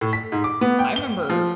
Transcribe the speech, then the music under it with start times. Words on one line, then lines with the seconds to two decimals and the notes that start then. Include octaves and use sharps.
I remember
0.01 A2
0.13 B6
0.32 G#2
0.44 D6
0.61 B3
0.79 G5
0.96 G7
1.30 F3